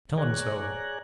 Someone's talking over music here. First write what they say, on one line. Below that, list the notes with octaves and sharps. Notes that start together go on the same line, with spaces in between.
Tell him so.
G#4 C#5 D5 G#5 A#5 F#6